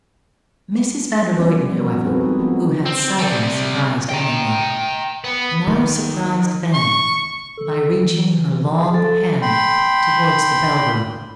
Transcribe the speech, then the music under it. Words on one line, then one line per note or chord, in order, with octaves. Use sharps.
Mrs. van der Luyden, however, who had seldom surprised any one, now surprised them by reaching her long hand toward the bell-rope.
F3 G3 B3 C#4
B3 F#4 A#4
C4 D#4 F#4 G#4 A4 B4
G#3 D#4 G4 B4
F3 B3 C4 D#4
C4
C3 G3
G5 A#5
B3
D#3
C#6
A4
E3
G#4
F3 A4
G5 B5 C6